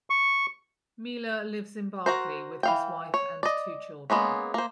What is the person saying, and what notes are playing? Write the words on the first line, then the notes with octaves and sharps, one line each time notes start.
Miele lives in Berkeley with his wife and two children.
C#6
F#4 A#4 C5
E3 F5 G5
C#5
D5 D#5
G#3 A#3 B3 C#4
A#3 C5